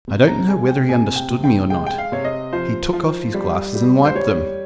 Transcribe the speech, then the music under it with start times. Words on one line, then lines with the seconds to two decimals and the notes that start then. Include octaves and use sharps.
I don't know whether he understood me or not: he took of his glasses and wiped them.
0.08 C3
0.28 A#5
0.48 G#3 G#5
0.69 G5
0.89 C3 G#5
1.16 G5
1.30 C3
1.44 G5
1.70 G#3 G5
1.87 G5
1.98 F5
2.12 C3 C#5
2.25 D#5
2.52 F3 C5
2.93 F3
3.34 G3
3.75 G3
4.05 C5
4.15 G3 C#5